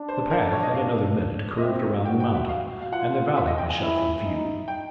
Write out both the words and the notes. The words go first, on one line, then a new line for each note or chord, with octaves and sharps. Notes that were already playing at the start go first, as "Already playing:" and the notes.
The path, in another minute, curved around the mountain, and the valley was shut from view.
Already playing: D4
C5
A#4
A4
C#5
D#5
F5
D#5
C4 E5
F#4 G5
G5
E5
F5
F5
F4 F#5
E5
D#5
G5
G#5
E4
D#4
G5